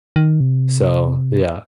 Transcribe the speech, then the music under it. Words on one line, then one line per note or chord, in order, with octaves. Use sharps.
so yeah.
D#3
C3